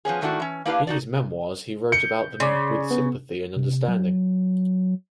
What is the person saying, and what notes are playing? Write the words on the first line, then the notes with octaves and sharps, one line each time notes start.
In his memoirs he wrote about them with sympathy and understanding.
F3 B3 C#4 G#4
G#2 D#3 A3 D4 E4 F#4
E3 C#4
A#3 D4 E4 G4 B4 F5
D#4 F#4 D5
G6 C#7
C#3 D5 C6
B3
C3
F#3